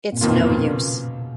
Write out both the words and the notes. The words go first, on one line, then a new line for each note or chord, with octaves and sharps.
It’s no use.
A#2
F2 B2 D#3 A#3 F4
B2
C#3